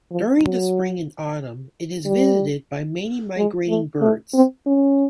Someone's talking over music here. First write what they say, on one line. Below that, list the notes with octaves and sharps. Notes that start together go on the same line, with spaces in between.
During the spring and autumn it is visited by many migrating birds.
F3
F#3
G3
G#3
A3
A3
C4
C#4